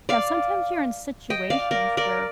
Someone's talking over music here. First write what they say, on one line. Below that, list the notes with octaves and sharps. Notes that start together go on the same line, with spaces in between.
Now sometimes you're in situations where
D5 F5
D#5 G5
D5 F5
A#4 D5
A#4 D5